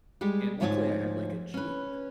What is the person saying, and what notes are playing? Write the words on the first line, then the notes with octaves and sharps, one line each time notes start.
and luckily I had, like, a Jeep
G3 G#3 G4
D2 G#2 F3 C#5 G#5 A5
C#4 B4